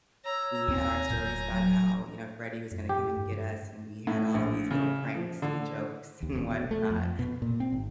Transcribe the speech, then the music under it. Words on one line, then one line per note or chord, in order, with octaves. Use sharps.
we had our stories about how, you know, Freddie was gonna come and get us, and we had all these little pranks and jokes and whatnot.
C#5 A#5 E6
D#2 C4 G#5 A#5
D1 A2 G6
F#3
F#2
G4
G2
A2
A#1
C#3
F3
D3
D#2
E1
B2
A3
F2
B2
A#2
C4
G#1